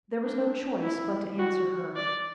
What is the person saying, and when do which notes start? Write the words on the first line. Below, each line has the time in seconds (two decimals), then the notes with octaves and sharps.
There was no choice but to answer her.
0.24 D4
0.82 E4
1.39 F#4
1.96 D5